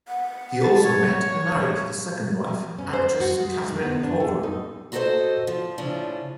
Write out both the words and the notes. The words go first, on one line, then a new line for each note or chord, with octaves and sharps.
He also met and married his second wife, actress Katherine Corcoran.
F#5
A5
C#5
C#4
C5
F#4
G#3
D#3
B3
D4
A3
D#4
E4 F#4 A4 B4 C5 D#5
F3
A2 C#3 F3 C#4 D4